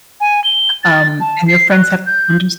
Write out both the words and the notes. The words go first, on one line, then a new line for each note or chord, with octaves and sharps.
um, and your friends have to unders
G#5
G7
A6
A5
C7
F#6
G6